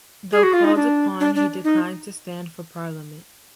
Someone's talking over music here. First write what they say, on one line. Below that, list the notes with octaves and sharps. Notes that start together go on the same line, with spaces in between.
Though called upon, he declined to stand for Parliament.
G#4
F#4
F4
D#4
D4
D4
D4
D#4